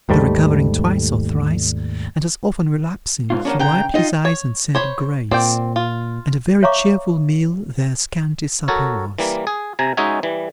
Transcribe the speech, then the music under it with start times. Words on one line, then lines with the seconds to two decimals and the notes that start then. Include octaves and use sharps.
After recovering twice or thrice, and as often relapsing, he wiped his eyes and said grace; and a very cheerful meal their scanty supper was.
0.09 D#2 G#2 G3 A3
3.30 G#2 F4
3.45 F#3 A#3 C#4 D4
3.59 G2 C#3 G5 A#5
3.94 D#4 F4 D#5 F5
4.25 C#5
4.75 C5 C#5 B5
5.31 A#2 C4 D5 G5
5.76 F4
6.63 C#5 E5 F5 A#5 C#6 D6
8.68 F#4 A4 A#4 C#5
9.18 E3 G3 A#3
9.47 G#4
9.79 C3 G#5 A#5
9.97 G#3 C#4 D#4 F#4 E5 G#5
10.23 E3 G3